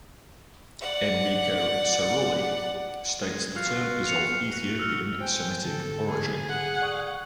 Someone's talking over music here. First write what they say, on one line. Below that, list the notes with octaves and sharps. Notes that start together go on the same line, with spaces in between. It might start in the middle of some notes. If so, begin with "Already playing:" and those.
Enrico Cerulli states the term is of Ethiopian Semitic origin.
D5 F#5
G#3
F4 F#4 F5
C#7 F7
F#4
E6 F6
C5 G5 G#5
G#2 D3 A4
G#4
F#5
D5 C#6 D#6